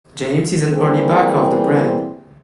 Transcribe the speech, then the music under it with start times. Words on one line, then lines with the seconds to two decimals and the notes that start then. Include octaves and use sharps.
James is an early backer of the brand.
0.74 E3 G3 A#3 C4 G#4